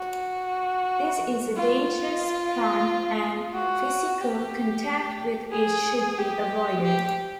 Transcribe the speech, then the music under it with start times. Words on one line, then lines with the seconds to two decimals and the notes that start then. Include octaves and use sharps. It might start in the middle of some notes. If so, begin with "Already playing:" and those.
This is a dangerous plant and physical contact with it should be avoided.
Already playing: F#4
1.57 F4
3.54 F#4
4.20 G4
5.53 G#4
6.18 G4
6.85 G4